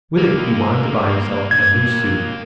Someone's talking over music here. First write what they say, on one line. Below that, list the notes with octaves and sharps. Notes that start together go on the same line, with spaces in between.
With it he wanted to buy himself a new suit.
A#3 G4
G#6